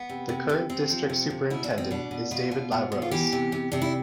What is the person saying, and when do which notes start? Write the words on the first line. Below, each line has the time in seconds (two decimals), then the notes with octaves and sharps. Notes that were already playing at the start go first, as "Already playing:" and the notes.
The current district superintendent is David LaRose.
Already playing: B3
0.09 C3
0.29 C3
0.49 C3
0.69 C3 C4
0.90 F3
1.10 C3
1.30 C3
1.50 B2 E4
1.64 D4
1.70 B2
1.78 C4
1.91 B2 D4
2.11 B2
2.31 B2 F4
2.52 B2
2.72 B2
2.92 B2
3.02 F4
3.11 E3 G4
3.32 C3
3.52 C3
3.72 C3 D4
3.82 E4